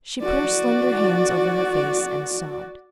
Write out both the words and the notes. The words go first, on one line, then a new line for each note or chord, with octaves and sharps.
She put her slender hands over her face and sobbed.
F#4 D5